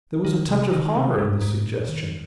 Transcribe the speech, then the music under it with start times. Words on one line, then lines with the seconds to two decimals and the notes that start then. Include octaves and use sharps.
There was a touch of horror in the suggestion.
0.25 D#3
0.48 C3
0.71 D#3
0.95 C3
1.18 G#2
1.42 G#2
1.65 A#2
1.88 D#3